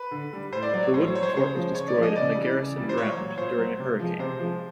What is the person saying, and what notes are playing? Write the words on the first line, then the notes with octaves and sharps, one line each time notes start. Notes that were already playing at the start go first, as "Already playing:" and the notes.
The wooden fort was destroyed and the garrison drowned, during a hurricane.
Already playing: B4
D3
G3
A2 C5
D5
F#3 D5
C#5
A2 C5
C#5
C5
F#3 C#5
C5
C#5
C#3 C5
F3 G#3
C#3 C#5
D5
F3 G#3
D#5
C#3 D5
E3 G3
C#3
E3 G3
C5
A#2 C#5
F#3
C#5
A#2 C5
F#3
C3
F3 G#3
C3 C5
F3 G#3